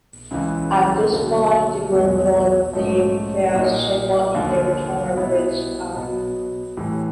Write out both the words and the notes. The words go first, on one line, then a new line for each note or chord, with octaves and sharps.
At this point, the group built their first chapel, in the Tower Bridge area.
C#2 C#3 E3
D#2 D3 F#3
E2 B2 G#3
G#2 F3 A3 C#4
A#2 G3 A#3 D#4
D#2 D3 F3
B2 G3 B3 E4
B2 F#3 B3
A2 E3 G3